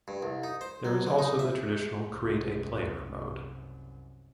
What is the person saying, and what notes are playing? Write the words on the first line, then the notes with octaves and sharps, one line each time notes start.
There is also the traditional create-a-player mode.
G2
C2
D#4
C5
F#3
D3
D#4
E5
C2 F#2